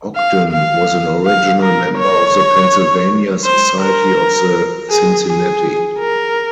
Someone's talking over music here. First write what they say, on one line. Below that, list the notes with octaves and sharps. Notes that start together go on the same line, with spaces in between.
Ogden was an original member of the Pennsylvania Society of the Cincinnati.
F5
F5
F5
A#4
C#5
C5
A#4
G#4
G#4
A#4